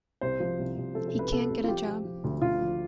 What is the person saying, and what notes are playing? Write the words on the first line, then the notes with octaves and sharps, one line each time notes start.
He can’t get a job.
C2 C5
F3
C2
C2
F3 A4
A4
C2
B4
C3 A4
C2
F4
F3 G4
F3
F3
D2
D2 F4
F3